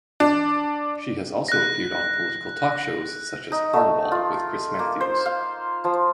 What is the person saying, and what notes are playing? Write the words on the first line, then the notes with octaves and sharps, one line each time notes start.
She has also appeared on political talk shows such as "Hardball with Chris Matthews".
D4
F#6 A#6
D#4
A3
F4
A#3
C5
F5
F3